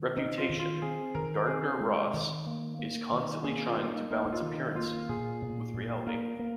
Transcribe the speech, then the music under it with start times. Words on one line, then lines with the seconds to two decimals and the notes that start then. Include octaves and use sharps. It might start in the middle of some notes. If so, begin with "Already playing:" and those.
Reputation: Gardner Ross is constantly trying to balance appearances with reality.
Already playing: D#3
0.16 C4 D#4
0.38 F4
0.49 D#3
0.59 F4
0.82 C4 G#4
1.14 D#3 A#4
1.47 C4 G#4
1.80 G#3
2.13 D#3
2.47 A#3
2.79 A#3
3.12 D#3
3.44 A#3 G#4
3.66 F4
3.77 A#3
3.89 D#4
4.10 A#3 D#4
4.32 F4
4.42 D#3
4.54 D#4
4.75 A#3 F4
5.09 A#2 G#4
5.42 A#2
5.74 A#2
6.07 A#3 A#4
6.39 A#3